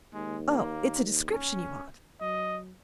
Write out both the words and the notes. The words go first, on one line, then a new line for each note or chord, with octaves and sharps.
"Oh, it's a description you want?"
D#2 G#3
A#3
C#4
F#3 D#5